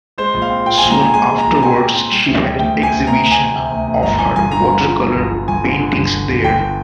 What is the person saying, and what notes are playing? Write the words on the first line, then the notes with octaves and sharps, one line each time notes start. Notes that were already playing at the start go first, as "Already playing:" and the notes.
Soon afterwards she had an exhibition of her watercolor paintings there.
G#3 C5
A#1
F5
C4
A#2 G5
A#1 G#5
A#5
C4 G#5
G#3 G#5
G#3
A#5
A#1
C4 G#5
C4
C4
G3
D2
G3
D2 G5
D2
G#5
D2
D2 A#5
D2
G#5
D2
C3
D2
D2
G1 A#5
G1 G#5
G2 G#5
D3 A#5
G2
F3
G2
G1
F3
G1 G#5
D3
D3
G1
G1
G1
G1 G5